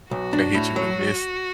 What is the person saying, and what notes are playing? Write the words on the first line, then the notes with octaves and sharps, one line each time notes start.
They hit you and miss.
B1 F#4
D4
A2
F#3